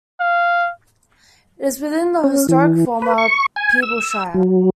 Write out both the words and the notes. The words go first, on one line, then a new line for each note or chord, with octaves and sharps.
It is within the historic former Peeblesshire.
F5
C#4
E3
B4
C#6
G#5
E6
F#3